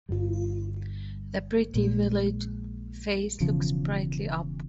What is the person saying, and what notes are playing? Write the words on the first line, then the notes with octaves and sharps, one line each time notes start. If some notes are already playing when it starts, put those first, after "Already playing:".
The pretty village face looks brightly up.
G1 G2 G3
A#1 A#2 G#3
E1 E2 C#3 F3